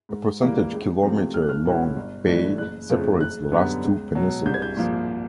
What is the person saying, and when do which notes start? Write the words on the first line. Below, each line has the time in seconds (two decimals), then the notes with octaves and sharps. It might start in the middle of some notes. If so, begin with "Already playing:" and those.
A % km long bay separates the last two peninsulas.
0.09 G#2
0.41 E3 G3 A#3
0.72 C#2
1.03 C3 F3 A3 C4
1.34 B1 F6
1.42 F#6
1.49 F6
1.65 B2 G#3 C#4 E4
1.96 G1
2.27 G2 E3 A3 D4
2.58 F#1 F#6
2.90 F2 C#3 F3 A3
3.20 F#1 F#6
3.52 F#2 D3 G3 B3
3.83 C#2
4.15 B2 F#3
4.46 C2 G6
4.54 G#6
4.62 G6
4.77 A#2 F3 A#3